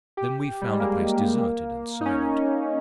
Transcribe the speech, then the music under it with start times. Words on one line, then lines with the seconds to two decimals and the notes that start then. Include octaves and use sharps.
Then we found a place deserted and silent.
0.17 G4
0.62 G3
0.71 G#3
0.80 A#3
2.01 D#4
2.05 C#4